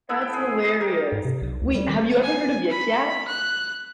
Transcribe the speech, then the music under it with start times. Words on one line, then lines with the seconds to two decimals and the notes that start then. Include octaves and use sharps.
That's hilarious. Wait, have you ever heard of Yik Yak?
0.09 B3 E4 A4 E5
0.22 G5
0.33 G#4
0.63 C5 D#5
0.81 G4 A#4
1.12 G#2
1.25 C3
1.42 B1
1.61 D2
1.75 G3
1.89 D#3
2.23 G#5
2.70 B5
3.28 F#6